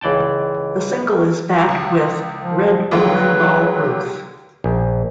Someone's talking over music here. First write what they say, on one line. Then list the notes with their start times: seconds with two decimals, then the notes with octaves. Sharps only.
The single is backed with "Red Bowling Ball Ruth".
0.01 C#2 E3 D5 G5 A5
1.69 C#2
2.41 F3
2.91 D#2 D3 F#3 G#3
3.09 B4
3.83 G4
4.64 A#1